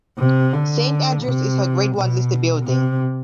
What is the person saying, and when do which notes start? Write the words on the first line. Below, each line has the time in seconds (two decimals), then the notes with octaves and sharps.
Saint Andrew's is a Grade One listed building.
0.18 C3
0.53 D3
1.23 C3
1.95 B2
2.65 C3